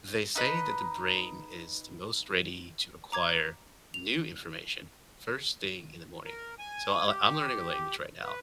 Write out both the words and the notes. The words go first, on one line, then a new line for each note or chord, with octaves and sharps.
they say that the brain is the most ready to acquire new information first thing in the morning. So, I'll I'm learning a language right now,
D#4 B4 D#5
A#5 D6 G#6
F7
A#4
G#5
G4
B4